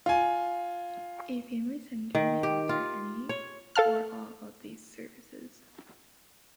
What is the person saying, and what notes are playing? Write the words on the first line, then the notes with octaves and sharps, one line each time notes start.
A family centre may offer any or all of these services.
F4 G#5
D#3
G4
F4
C#5
A4 F5 A5 F6